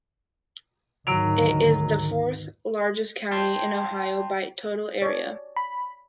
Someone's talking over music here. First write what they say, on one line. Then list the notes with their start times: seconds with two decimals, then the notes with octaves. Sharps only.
It is the fourth-largest county in Ohio by total area.
1.07 D2 G#2 D#3 F#3 D7 F7
3.31 G5 A5 C6 G#6
5.02 C#5 D5
5.56 B5